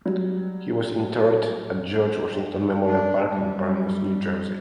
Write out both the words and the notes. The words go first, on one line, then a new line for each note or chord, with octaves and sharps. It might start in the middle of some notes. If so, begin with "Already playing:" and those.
He was interred at George Washington Memorial Park in Paramus, New Jersey.
F#3 G3
D4
G3